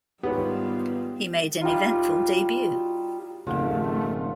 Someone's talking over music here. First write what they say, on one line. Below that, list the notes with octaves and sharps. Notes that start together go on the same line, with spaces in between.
He made an eventful debut.
G#2 D#3 G3 B3 F4 G4 G#4 C#5
G3 D#4 F4
G#1 F2 C#3 A3 F4 F#5 A5